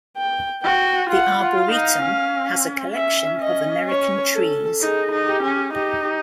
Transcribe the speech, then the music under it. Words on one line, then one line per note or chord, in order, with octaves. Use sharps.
The arboretum has a collection of American trees.
G5
F#4 G5
F4 F#5
F4
F5
D#4
C#4
C#4 E5
D#5
C#5
A4
D#4 G#4
D#4
G4
C#4
D#4 G4